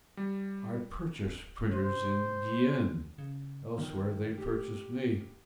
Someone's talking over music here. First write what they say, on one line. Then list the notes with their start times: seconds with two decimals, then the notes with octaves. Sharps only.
I purchase printers in Guienne; elsewhere they purchase me.
0.17 G3
1.25 D1
1.71 C3 C5
3.18 C#3
3.78 D#3
4.38 G4